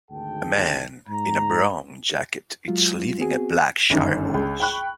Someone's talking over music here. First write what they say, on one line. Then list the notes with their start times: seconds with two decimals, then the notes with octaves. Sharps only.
A man in a brown jacket is leading a black shire horse.
0.11 G#1 D2 D#3 G#4 G5 A5
1.08 G#2 A#5
2.68 F#3 G#3 F4
3.19 B3 C4 F#4 G#4
3.90 G1 F#2 D#3
4.34 C#2
4.60 G5 B5 C#6 F#6